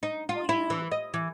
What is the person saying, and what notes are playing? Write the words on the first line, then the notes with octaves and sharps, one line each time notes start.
Well, you
D#4
F4
E4
E3
D#5
E3